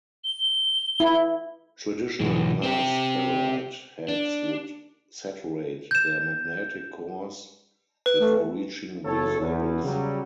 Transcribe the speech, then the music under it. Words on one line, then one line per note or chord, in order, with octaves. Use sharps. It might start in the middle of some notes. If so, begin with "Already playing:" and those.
Traditional glass ferrite heads would saturate their magnetic cores before reaching these levels.
G7
E4
B1 E3
C4 G4
D4
G6 E7
B4
A3
F#1 A4 C#5
E2
C#3 F#3 G3